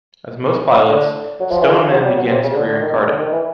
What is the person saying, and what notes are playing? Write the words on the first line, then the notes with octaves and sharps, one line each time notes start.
As most pilots, Stoneman began his career in karting.
D3
F#3
F3
E3
F3
F#3
G3
F#3
C3
C#3
D3
D3
D#3
C#3
D3
D#3
E3